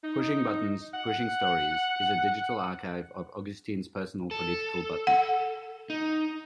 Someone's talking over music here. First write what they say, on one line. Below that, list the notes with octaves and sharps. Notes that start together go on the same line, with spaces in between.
"Pushing buttons, pushing stories" is a digital archive of Augustine's personal political buttons.
D#4
F#5
A4
F#5
D#4